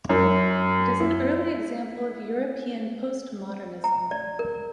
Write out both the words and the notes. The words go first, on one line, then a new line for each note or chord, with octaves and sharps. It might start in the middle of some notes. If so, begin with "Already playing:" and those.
It is an early example of European Postmodernism.
F#2
E4
A#5
D5
A#4